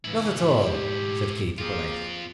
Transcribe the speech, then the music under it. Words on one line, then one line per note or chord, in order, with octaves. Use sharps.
"Not at all," said Katy, politely.
G#2 C#3 E3 E4
G4
A#3 C4 F4 G4 G#4